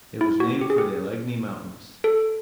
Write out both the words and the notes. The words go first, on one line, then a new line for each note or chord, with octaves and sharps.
It was named for the Allegheny Mountains.
E4
F#4
G4
G#4
G4
A4